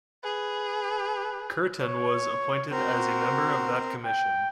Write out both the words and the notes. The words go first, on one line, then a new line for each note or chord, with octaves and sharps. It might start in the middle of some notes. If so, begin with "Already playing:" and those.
Curtin was appointed as a member of that commission.
G#4 B4
C#5
C4 F#4 A#4
G5